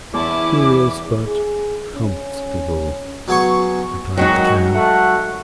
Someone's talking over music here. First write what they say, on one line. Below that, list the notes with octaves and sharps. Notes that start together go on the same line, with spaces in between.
"Curious, but comfortable," replied the Cow.
E2 C#4 E4 A5 D6
G#4
C#4
F#3 B3 G#4 C#6
D#3 F#3 G#3 D#4 F#4
A3 F#5